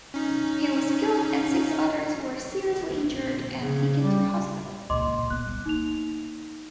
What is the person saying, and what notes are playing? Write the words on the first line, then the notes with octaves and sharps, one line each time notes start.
He was killed and six others were seriously injured and taken to hospital.
C#4 D#4
C#3
G3
C#2 A#2 D#5 C6 D6
B3 F#6
C2
A#3 D#4 F7